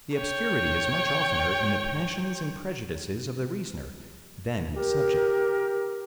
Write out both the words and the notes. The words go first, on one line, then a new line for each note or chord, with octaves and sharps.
The obscurity is much oftener in the passions and prejudices of the reasoner than in the subject.
C#5 G5
G4 A#4